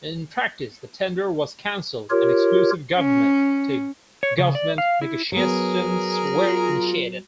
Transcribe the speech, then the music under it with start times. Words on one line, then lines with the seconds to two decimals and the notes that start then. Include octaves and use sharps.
In practice the tender was cancelled and exclusive government to government negotiations were initiated.
2.10 F4 G4 A#4 C#5
2.94 C#4
4.23 C#5
4.38 C#3
4.55 D5
4.78 F5
5.01 E4
5.32 F#3 B3 G#4 A#4
6.31 F4